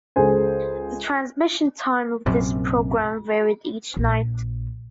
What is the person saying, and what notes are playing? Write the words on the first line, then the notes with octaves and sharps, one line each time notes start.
The transmission time of this programme varied each night.
C#2 G#4 A4 C5 G#5
A#1 F#2 C3
A#1